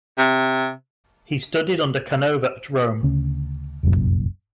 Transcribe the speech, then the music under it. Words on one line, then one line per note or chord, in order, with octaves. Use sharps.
He studied under Canova at Rome.
C3
D2 C#3 C#4
F1 C2 F#2 A#2